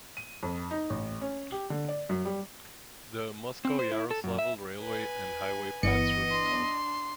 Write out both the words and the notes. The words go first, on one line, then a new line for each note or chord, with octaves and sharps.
The Moscow-Yaroslavl railway and highway pass through the town.
D#7
F2
D#4
A1
C#4
G4
D3
D5
F#2
G3
C4
C5
E4
A4
F#2
E5
B4 G#5
G1 E3 B3 D#5 C#7
D4 C6